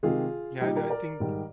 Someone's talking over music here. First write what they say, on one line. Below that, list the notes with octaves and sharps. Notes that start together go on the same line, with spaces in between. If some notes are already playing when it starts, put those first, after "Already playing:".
yeah, th I I think
C3 D#3 G#3 F4 G#4
A#2 G3 D#4 G4
G4 A#4
A#4 D5
G#2 D#3 G3